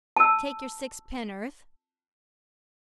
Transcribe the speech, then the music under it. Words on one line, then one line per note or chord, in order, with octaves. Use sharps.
Take your sixpenn'orth.
A5 E6